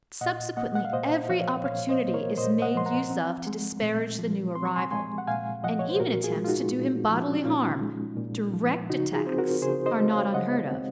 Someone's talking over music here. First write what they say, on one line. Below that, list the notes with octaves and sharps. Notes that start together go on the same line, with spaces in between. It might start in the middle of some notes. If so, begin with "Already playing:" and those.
Subsequently every opportunity is made use of to disparage the new arrival, and even attempts to do him bodily harm, direct attacks, are not unheard of.
A#2 D#5 F#5
A#3 D#5 F#5
F#5
F5
A#2 C5 D#5
F3 C#5 F5
A#2 C#5 F5
C5 D#5
A#3
A#4 C#5
A#2 C5 D#5
D#5 F#5
F3 C6
F#5 A#5
C4
G#3
A#2
F3
C4 C6
C#6
G#5 C6
G#3 G#5 C6
F#5
A#2 F5 G#5
F3 D#5 F#5
C#5
C5
A#2 F#4 A#4
F4 G#4
G#3
F4
D#4 F#4
A#2
F3
C#4
D#4
A#2 C#4 F4
G#3
A#2
F3
C#3 D#4 F#4
F4 G#4
C4 C5
F#4 A#4
C#3 G#4 C5
C5 D#5
G#3
C#5 F5
C#3 D#5 F#5
C4